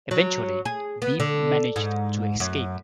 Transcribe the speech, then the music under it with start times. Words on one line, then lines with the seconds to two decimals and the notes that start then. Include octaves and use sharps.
Eventually, Beep managed to escape.
0.11 F#3
0.65 G#4
1.02 B3
1.20 D3
1.76 G#2
2.40 F#2